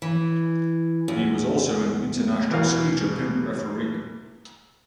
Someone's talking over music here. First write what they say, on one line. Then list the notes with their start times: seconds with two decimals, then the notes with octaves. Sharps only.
He was also an international ski jumping referee.
0.02 E3
1.08 E2
2.50 E2 B2 E3 A#3 F5